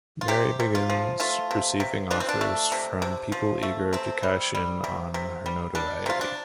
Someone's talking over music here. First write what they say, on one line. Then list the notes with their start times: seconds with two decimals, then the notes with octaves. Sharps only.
Mary begins receiving offers from people eager to cash in on her notoriety.
0.21 F4
0.28 C3 G4
0.60 C3
0.75 F4
0.90 F3
1.20 A3 F4
1.51 C3
1.80 C3
2.11 F3 D4
2.20 C4
2.29 D4
2.41 A3
2.72 C3
3.02 C3
3.32 F3
3.63 A3
3.93 C3 C4
4.23 G3
4.55 G3
4.84 C3
5.14 C3
5.46 G3
5.75 G3 D4
6.06 C3 F4
6.21 D4